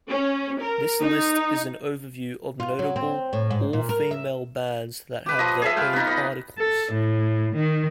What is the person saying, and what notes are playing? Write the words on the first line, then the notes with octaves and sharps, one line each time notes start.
This list is an overview of notable all-female bands that have their own articles.
C#4
A#4
D#4
F4
F#3
C4
A2
G#2
A#2
A#4
E5
G4 B4
F3 D#5
G#4 E5
F4 B4 F5 G5
B3 D#4
D#5 B5
A4
A2
D#3